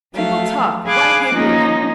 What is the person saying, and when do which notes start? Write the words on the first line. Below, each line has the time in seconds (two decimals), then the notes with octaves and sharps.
People talk, why hinder them?
0.14 F3 F#3 A3 F5
0.85 G#4 F5 G#5 B5 D6 F#6
1.32 F3 A#3 C#4 D#4